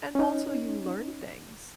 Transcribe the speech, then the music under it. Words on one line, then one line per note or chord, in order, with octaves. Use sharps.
and also you learn things.
C#4 D#4